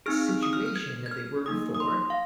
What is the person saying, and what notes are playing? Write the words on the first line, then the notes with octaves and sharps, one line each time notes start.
situation that they were before.
C4 D#4 G#4 F6
F6
D#6
F6
F6
G#6
G#6
F6
A#3 D#4 G#4 D#6
D#6
C6
F5